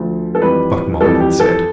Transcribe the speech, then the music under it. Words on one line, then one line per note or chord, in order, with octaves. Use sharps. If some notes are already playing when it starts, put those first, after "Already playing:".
Buck Mulligan said.
Already playing: D2 D3 F3 A3
A4
F2 E3 G3 B4
F2 E3 G3 A4
G4
A4